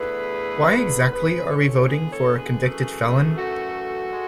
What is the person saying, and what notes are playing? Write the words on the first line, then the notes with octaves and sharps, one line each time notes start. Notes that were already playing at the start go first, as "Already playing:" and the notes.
Why exactly are we voting for a convicted felon?
Already playing: E2 D3 A3 G#4 B4
E2 D3 G#3 B3 G#4 B4
A4 C#5
G#4 B4
A4 C#5
G#4 B4
F#2 E3 A3
F#4 A4
G#3